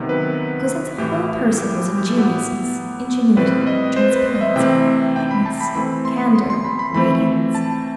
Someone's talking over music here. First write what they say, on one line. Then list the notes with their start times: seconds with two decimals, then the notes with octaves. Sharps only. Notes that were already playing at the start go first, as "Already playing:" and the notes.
Cosette's whole person was ingenuousness, ingenuity, transparency, whiteness, candor, radiance.
Already playing: C3 D#3 F#3 B3
0.09 B4
0.98 A2 E3 A3 G4
1.58 G4
1.78 G4
1.98 G4
2.09 A4
2.17 A2 F#3 B3 G4
3.37 A2 G3 C4 B4
3.67 D#5
3.96 C5
4.12 B4
4.26 C5
4.34 D#5
4.41 E5
4.56 C3 E3 A3 C4 G5
5.16 G5
5.31 B5
5.46 A5
5.61 B5
5.75 E3 A3 C4 B5
6.05 C6
6.35 C6
6.50 C6
6.64 B5
6.79 B5
6.94 E3 A3 C4 B5
7.55 A5